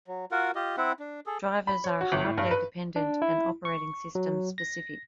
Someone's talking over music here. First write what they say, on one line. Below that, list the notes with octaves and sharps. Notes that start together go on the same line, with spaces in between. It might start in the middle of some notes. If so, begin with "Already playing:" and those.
Drivers are hardware dependent and operating-system-specific.
F#3
F4 F#4 A#4 F#5
F4 G4 D#5
C4 E4 E5 F#5
D4
G#4 A4
B5
C#5
F#4
G1
A2
G2
B4
D4
E4
C#6
F#3
A#6